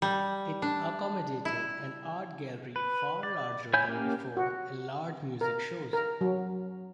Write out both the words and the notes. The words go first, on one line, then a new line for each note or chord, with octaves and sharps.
It accommodated an art gallery far larger than before, and larger music shows.
G3
D4
E4
B4
D5
E4 C#5 G#5 G6
A#3 C#4 G4 A#4
F#4
A#4
A#4
F#3